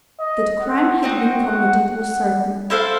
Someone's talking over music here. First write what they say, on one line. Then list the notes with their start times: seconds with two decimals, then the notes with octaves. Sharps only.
That crime had been committed was certain.
0.20 D#5
0.61 F#5
1.02 C4 D#4 F#4 G5
1.44 F#5
1.87 F#5
2.70 E4 A4 C5 F5